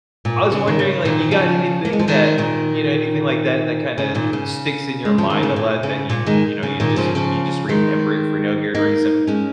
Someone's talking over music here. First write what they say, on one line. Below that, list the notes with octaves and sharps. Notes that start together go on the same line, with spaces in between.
I was wondering, like, you got anything that, you know, anything like that, that kinda sticks in your mind a lot that you, you know, you just you just remember it for no good reason?
A#2
C#3
D#3
C#3
A#2 D#3
C#3 F3
A#3
G#3
F3
D#3 G#3
A#2 D#3
C#3
A#2 D#3
C#3
G#3
F3
D#3
C#3
A#2
C#3
A#2
D#3 G#3
C#3
A#2 D#3
C#3 F3
C#3 F3
D#3 G#3
A#3 D#4
G#3 C#4